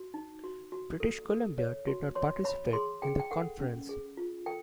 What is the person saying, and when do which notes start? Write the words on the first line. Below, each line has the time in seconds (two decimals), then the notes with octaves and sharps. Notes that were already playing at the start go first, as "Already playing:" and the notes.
British Columbia did not participate in the conference.
Already playing: F#4
0.14 D#4
0.44 F#4
0.72 F#4
1.00 A4
1.30 A4
1.58 C#5
1.87 F#4
2.15 C#5 C6
2.44 C#5 B5
2.73 G#4 C6
3.02 G#4 G5
3.19 G5
3.31 A4 F#5
3.60 C#4
3.89 G#4
4.17 F4
4.46 A4 G5